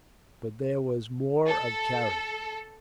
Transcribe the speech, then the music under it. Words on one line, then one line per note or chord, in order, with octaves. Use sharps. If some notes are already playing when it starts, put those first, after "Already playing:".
But there was more of character.
A4